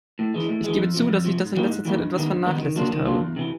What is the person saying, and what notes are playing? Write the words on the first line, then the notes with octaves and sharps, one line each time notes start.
Ich gebe zu, dass ich das in letzter Zeit etwas vernachlässigt habe.
A2
E3 G#3
A2
E3 G#3
F2
C3 F3
F2
C3 F3
G#2
E3 G3 A#3 D#4
G#2
E3 G3 A#3 D#4
G2
D#3 G3 B3 D#4
G2
D#3 G3 B3 D#4
D#3
F#3 A#3 D4 F4
D#3
F#3 A#3 D4 F4
E2
C3 E3